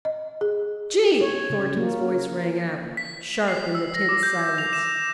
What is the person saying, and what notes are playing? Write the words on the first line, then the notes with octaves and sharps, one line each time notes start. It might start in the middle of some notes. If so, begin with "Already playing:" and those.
"Gee!" Thornton's voice rang out, sharp in the tense silence.
D#5
G#4
C#5
C#3
A#3
B6
C7
E6
A#6
D6
G6
F7
E7